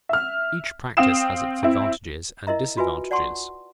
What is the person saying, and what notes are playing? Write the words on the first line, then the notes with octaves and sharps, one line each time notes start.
Each practice has its advantages and disadvantages.
E5 F6
C4 F5 G5 D#6 C7 E7
C4 E4
E4 A#4 D#5 E5 A#5
F4 F#4 B4 E5 G#5
D5 F#5 A5 C6 C#6